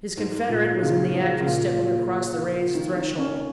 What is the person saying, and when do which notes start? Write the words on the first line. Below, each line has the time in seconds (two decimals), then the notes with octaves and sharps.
His confederate was in the act of stepping across the raised threshold.
0.17 G#2
0.49 A#2
0.82 C#3
1.14 F3
1.41 C#3
1.47 A#2
1.79 A#2
2.75 D#3
2.96 D#3
3.18 C#4